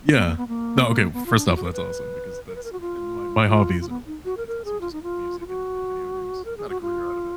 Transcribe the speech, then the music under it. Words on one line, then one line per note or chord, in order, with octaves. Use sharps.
Yeah, no, okay, first off, that's awesome because that's my my hobbies are like it's also just music and and video games, not a career out of it,
B3
A#3
B3
A#3
B3
F4
D4
F4
F#4
A#4
B4
A#4
B4
A#4
F#4
F4
F4
F4
B3
D#4
F#4
A#4
A#4
G#4
F4
D#4
F4
F4
F#4
A#4
G#4
F#4
F4